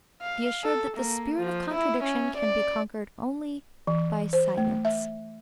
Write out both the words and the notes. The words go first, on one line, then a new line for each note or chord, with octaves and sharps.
Be assured that the spirit of contradiction can be conquered only by silence.
F5
A4
A#3
F3
E4
C#4
D5
E3
C5
A3
E5